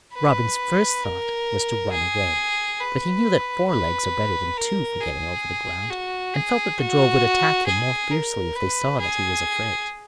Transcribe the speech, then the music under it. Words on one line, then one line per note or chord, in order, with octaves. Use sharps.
Robin's first thought was to run away, but he knew that four legs are better than two for getting over the ground, and felt that the drove would attack him more fiercely if they saw that he was afraid.
B4
A#4
G#4
B4
B4
A#4
G#4
F#4
G#4
F#4
G#4
A#4
B4
G#4